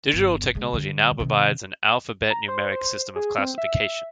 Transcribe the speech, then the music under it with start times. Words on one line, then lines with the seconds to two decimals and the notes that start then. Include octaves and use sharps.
Digital technology now provides an alphabet-numeric system of classification.
0.13 G1
0.55 C#3 G#3
0.74 D3 G3
1.20 C3 D#3
2.30 A#5
2.48 C5
2.72 C5
3.16 G#4
3.38 C4
3.58 E5